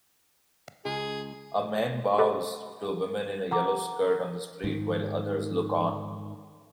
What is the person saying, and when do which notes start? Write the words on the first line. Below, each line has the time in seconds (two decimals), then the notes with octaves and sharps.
A man bows to a woman in a yellow skirt on the street while others look on.
0.85 C#2 G#3 G#4
2.18 G4 A4 B4 D5 A5 B5
3.51 F#5 A#5 D6
4.64 G#2 D#3